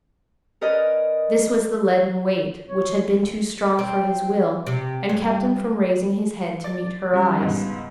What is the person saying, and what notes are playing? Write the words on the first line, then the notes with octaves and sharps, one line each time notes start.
This was the leaden weight which had been too strong for his will, and kept him from raising his head to meet her eyes.
C#4 A#4 B4 D5 D#5
C#5
C4
C3
G2
D5 D6 A6
G3 C#4 F5
C#2 G#2 B3